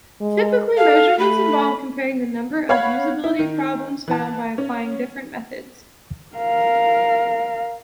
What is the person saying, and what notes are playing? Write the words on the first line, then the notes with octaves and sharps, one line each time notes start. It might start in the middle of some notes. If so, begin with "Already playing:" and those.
Typically measurements involve comparing the number of usability problems found by applying different methods.
G#3
A4 F5
A3 B5
C#5 F5 F#5 B5 G#6
E4
D#3
E3 A5
C#4
A#4 F5